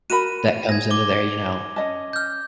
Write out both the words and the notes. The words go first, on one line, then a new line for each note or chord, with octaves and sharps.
that comes into there, you know,
F#4 A#4 B5 D#7 E7
G#4 G#6 A#6
D6 G7
C#4 D#5 A5
F6 G6